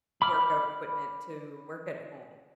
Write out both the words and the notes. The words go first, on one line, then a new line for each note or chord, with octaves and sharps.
workout equipment to work at home
B5 D6 F6